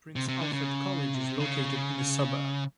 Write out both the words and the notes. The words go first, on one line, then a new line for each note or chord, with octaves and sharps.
Prince Alfred College is located in the suburb.
C3
C3
D3
C#3
C3
C#3